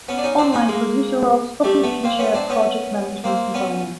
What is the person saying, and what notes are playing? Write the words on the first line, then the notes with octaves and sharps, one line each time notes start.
Online producer roles often feature a project management component.
B3 C#4
D4
C#4 D#4
C4 D4
C#4 D#4
G#3 A#3
G3 A3
A3 B3
A#3 C4
B3 C#4
C4 D4
B3 C#4
A#3 C4
B3 C#4